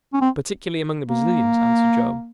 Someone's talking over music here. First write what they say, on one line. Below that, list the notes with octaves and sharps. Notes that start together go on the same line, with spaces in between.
"Particularly among the Brazilians," answered Joam.
C#4
C4
A#3